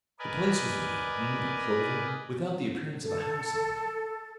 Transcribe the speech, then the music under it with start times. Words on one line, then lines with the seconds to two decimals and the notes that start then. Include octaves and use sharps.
The place was without meat or clothing, without the appearance of a house on it.
0.19 A#4 B4 D5 D#5 G#5
3.03 A4